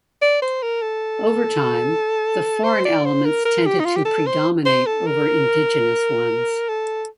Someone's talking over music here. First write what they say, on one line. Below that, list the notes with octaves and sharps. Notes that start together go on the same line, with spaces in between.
Over time, the foreign elements tended to predominate over indigenous ones.
D5
C5
A#4
A4
C5
D5
C5
A#4
A#4
G4
D#4
F4
G4
A4
C5
C5
A4
A#4
A4